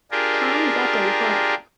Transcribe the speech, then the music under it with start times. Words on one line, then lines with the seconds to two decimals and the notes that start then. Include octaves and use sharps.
Con Buckley Park.
0.11 D4 F4 G4 G#4 A#4